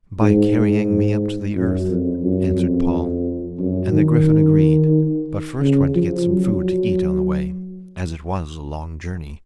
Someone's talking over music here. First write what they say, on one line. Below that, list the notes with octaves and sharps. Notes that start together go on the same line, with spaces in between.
'By carrying me up to the earth,' answered Paul; and the griffin agreed, but first went to get some food to eat on the way, as it was a long journey.
G#2
G#2
F#2
F2
F#2
F2
F#2
D#3
C#3
F3
F#3